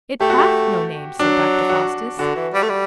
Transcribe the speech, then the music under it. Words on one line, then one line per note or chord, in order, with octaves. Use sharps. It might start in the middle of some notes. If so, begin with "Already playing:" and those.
"It hath no name," said Dr. Faustus.
A3 G4
F#4
G4
F#3 D4
F#4
D3 F#4
E3
G3
A3
G3